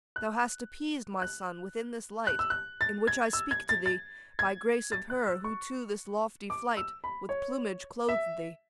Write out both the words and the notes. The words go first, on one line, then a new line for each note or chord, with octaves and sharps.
Thou hast appeased, my son, within this light In which I speak to thee, by grace of her Who to this lofty flight with plumage clothed thee.
F#6
F#6
F#6
E6
F#6
A6
G#6
E6
G#6
A6
A6
G#6
A6
F#6
E6
C#6
D6
E6
B5
C#5
E5